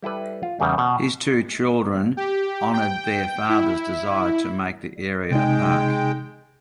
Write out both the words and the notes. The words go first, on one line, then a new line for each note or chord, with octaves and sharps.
His two children honored their father's desire to make the area a park.
G3 E4 A4 B4
F4
E2 C#3 G3
B2
G4
G5
E4
C3 G#3 D#4 G5